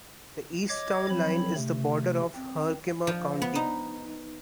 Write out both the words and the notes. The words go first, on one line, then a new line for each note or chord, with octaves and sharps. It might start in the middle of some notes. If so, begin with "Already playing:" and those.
The east town line is the border of Herkimer County.
C#5 D#5 D6 G#6
F3 F#3 C4 C#5 B5
C3 A3
C4
F3
B3
D#4